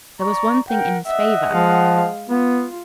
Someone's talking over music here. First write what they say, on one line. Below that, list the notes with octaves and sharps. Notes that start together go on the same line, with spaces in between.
There was one thing in his favour.
D5 A#5 C#6
A#4 F#5 G5
D#5 E5 F#5
F3 G#3 F5
B3 F4